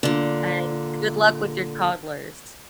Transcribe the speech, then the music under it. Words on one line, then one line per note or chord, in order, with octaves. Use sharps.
And good luck with your toddlers.
A#2 D3